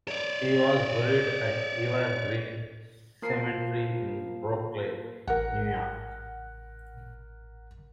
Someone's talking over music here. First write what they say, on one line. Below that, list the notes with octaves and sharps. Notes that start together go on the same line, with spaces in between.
He was buried at Evergreen Cemetery in Brooklyn, New York.
C#5 D5
F3 A#3 A#4 C7
A1 A#4 F#5